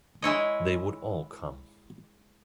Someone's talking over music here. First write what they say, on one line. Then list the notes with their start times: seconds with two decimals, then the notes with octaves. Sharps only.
They would all come.
0.22 G#3 E4 C#5 D#5